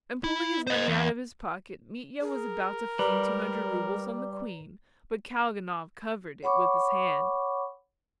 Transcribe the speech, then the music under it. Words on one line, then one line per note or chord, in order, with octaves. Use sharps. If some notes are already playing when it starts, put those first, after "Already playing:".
And pulling his money out of his pocket, Mitya was about to fling two hundred roubles on the queen, but Kalganov covered it with his hand.
E4
C5 D#5
E2
G#4 A#4
G3 B4 D5 A#5
C#5 F#5 B5 C#6 D6